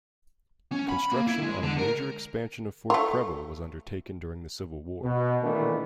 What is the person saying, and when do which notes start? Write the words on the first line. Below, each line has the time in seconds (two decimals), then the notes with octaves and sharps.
Construction on a major expansion of Fort Preble was undertaken during the Civil War.
0.72 C#4
0.89 B5
1.12 A#3
1.27 E4
1.42 G#3
1.63 D3
1.78 A#4
2.90 A3 F4
5.03 B2
5.43 A#2 D#3 E3 A3 B3 D4